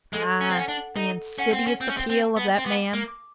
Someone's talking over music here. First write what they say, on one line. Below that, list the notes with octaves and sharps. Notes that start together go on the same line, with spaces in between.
Ah, the insidious appeal of that man!
G#3 A4
C#4
C4
C#4 F#5
D4
D#4 A4
C#4 F#5
C4
C#4
C4 G6
C#4
C4
C4
A5
B3
C4
B3 D6
A#3
D6